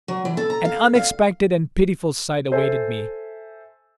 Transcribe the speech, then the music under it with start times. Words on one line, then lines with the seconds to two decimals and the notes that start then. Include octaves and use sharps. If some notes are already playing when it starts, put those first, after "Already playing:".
An unexpected and pitiful sight awaited me.
0.08 F#3
0.25 E3
0.37 A4
0.50 A#5
0.65 F5
0.95 F5
2.51 A4 C5 E5 G#5